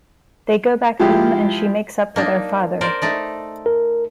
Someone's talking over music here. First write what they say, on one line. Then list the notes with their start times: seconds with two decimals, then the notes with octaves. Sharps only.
They go back home and she makes up with her father.
1.00 F3 G#3 E4 G4
2.16 A#3 D4 D#4
2.81 A#4 C5 D5
3.02 A3 D#4 D5
3.66 A#4